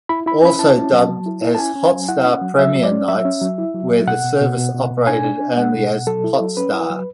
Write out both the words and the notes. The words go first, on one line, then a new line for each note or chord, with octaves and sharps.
Also dubbed as Hotstar Premiere Nights where the service operated only as "Hotstar".
E4 B5
E4 B5
C#4 B5
E4 A5
C#4
F#3
F#3
E4
E4
A5
C#4 G#5
C#4
F#3
E4 F#5
C#4
F#3
F#3 E5
F#3
D5
C#4
F#3 E5
C#4
F#3
E4
F#3
F#3
B2 F#5
B2
B2
B2
B2
B2
D4 G#5
D4
D4
G#3 F#5
B2
B2
F#3 A4
E4
F#3
C#4 B4
E4
F#3